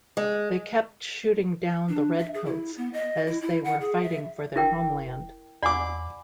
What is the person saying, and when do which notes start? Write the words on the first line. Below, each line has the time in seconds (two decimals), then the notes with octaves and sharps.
They kept shooting down the Red Coats, as they were fighting for their homeland.
0.17 G#3
1.89 D4
2.18 E5
2.34 G#4
2.45 E4
2.77 B3
2.93 D#5
3.27 E4
3.41 E4
3.64 F#5
3.81 G#4
4.03 E5
4.56 F1 E4 A#4 G5
5.63 E2 D5 F#5 G#5 B5 D6